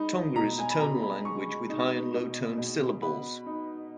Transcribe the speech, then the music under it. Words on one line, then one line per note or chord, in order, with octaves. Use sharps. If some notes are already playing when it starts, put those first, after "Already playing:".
Tonga is a tonal language, with high and low-toned syllables.
Already playing: G#3 D#4 B5
B2 A#5
G#5
B5
B2 A#5
B5
G#3 C#6
D#4
B2
B2
B3 B5
D#4